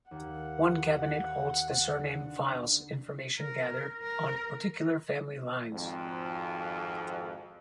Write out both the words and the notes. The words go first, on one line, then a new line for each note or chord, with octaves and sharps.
One cabinet holds the surname files-information gathered on particular family lines.
D#2 F#5
D3
A#4
A#4
G#1 F2